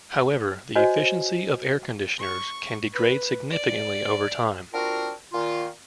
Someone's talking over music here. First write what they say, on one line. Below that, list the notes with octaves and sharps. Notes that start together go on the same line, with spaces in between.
However, the efficiency of air conditioners can degrade significantly over time.
F#4 C5 C#5 D#5 G#5
C#6
B4
D5
C4 D4 F4 F#4 A#4
A#2 D#3 F4